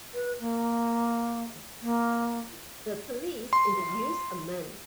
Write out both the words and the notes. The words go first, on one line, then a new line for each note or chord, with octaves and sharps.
The police interviews a man.
B4
A#3
A#3
C6